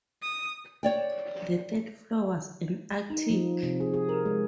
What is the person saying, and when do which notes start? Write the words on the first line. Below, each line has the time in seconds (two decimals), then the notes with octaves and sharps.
The third floor was an attic.
0.22 D#6
0.83 C#5 D5 G5
3.10 D#4
3.30 F3
3.63 C3
3.80 G#4
3.94 G#4
4.09 A#4
4.25 G#3